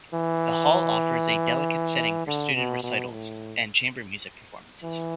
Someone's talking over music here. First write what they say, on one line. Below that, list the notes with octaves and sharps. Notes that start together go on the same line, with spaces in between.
The hall offers a delicate setting for student recitals and chamber music performances.
E3
D3
B2
B2
A2
E3